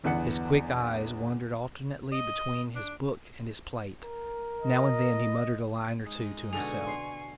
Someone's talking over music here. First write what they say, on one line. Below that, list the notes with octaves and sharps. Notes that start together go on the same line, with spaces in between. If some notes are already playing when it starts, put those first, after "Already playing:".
His quick eyes wandered alternately between his book and his plate; now and then he muttered a line or two to himself.
G1 E2 E3 B3 F#5 C#7
D#5
D4
A#4
D#5
G#3 D#4
B2 D3 G#4 A4 G#5 C#6 F7
C6 C7